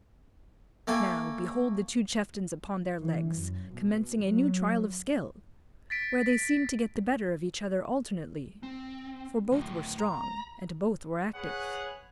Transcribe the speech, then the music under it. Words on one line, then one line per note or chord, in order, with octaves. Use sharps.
Now, behold the two Chieftains upon their Legs, commencing a new Trial of Skill! where they seem'd to get the better of each other alternately; for both were strong, and both were active.
A3 A#3 G5 G#5
E3
F#2
B2
F#3
A6 B6 D7
C4
D2 A2
A#5
G#4 B4 C#5 F#5